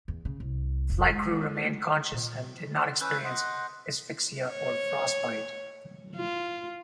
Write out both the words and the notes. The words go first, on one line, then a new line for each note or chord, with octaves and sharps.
The flight crew remained conscious and did not experience asphyxia or frostbite.
E2
C#3
C2
F1
G#3
A#2
C#4 B4 E6 F#6 G6
D#5 F#5 C6
C#5
F4